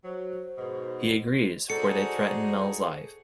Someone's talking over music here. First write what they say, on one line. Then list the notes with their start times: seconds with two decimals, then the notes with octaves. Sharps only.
He agrees; for they threaten Mel's life.
0.04 F#3 C5
0.58 G#2 B2
1.70 D#4 F#4 G#4 A4 C5 D5 C#7